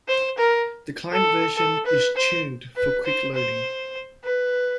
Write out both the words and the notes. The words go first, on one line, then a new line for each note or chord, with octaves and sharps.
The Client version is tuned for quick loading.
C5
A#4
A4
A4
B4
C5
B4
C5
C5
B4